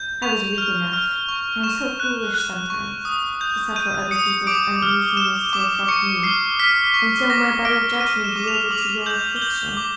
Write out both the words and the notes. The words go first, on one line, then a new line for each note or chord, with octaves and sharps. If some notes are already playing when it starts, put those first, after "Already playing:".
I was weak enough--I am so foolish sometimes!--to suffer other people's uneasiness to affect me, and so my better judgment yielded to your affliction.
Already playing: G6
C#6 F7
F6
F6
C#6
C#6 E7
F#6
F#6
C#6
D#6
G6
G6 D#7
D#6 C#7
D6 D7
F6
F6 E7
D6
C#6 C#7
F6 C7
F6 B6
C#6
D6 A#6
F6 D7
F6 D#7
E7
D6
F7
D6 F#7
G6 F#7
G7
G6 F#7
D6